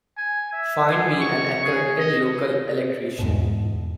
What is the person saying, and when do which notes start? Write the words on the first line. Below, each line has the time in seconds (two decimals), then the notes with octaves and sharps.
Find me an accredited local electrician.
0.17 G#5
0.52 E5
0.87 G#4
1.20 C#6
1.64 G#4
1.98 D#5
3.19 E2 G#2 B2